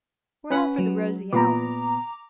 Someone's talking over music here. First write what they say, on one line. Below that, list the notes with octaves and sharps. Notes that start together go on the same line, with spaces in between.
We're all for the rosy hours.'
C#4 B4 F#5
F#3
A#2 B3 A#5 D6